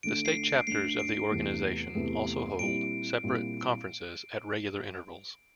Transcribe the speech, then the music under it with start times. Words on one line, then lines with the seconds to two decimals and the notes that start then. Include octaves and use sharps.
The state chapters of the organisation also hold separate conferences at regular intervals.
0.03 D2 D3 A3 D7
0.25 C7
0.46 D7
0.67 D2 D3 A3 C7
0.99 D7
1.31 E2 C3 E3 A3
1.95 E2 C3 E3 A3
2.59 A#2 G3 C4 E4 D7
3.23 A#2 G3 C4 E4